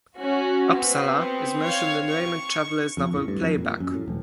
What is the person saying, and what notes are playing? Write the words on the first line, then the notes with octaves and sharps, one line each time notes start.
Uppsala is mentioned in Raymond Chandler' s novel "Playback".
C#4 F#4
B3 C4
C#5 F5
C#6
F2
A2
G2
F2
A#2
F#2
A2
E1